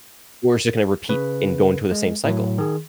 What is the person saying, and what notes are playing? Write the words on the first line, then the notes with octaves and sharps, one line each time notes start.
or it's ju gonna repeat and go into the same cycle.
C#3 B4
G#3
A2 F#3
D#3 G#4